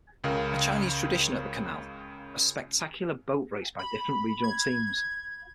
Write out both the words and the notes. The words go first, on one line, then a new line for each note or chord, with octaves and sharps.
A Chinese tradition at the canal, a spectacular boat race by different regional teams.
C#2 C#3 A#4 F5
B5
G#6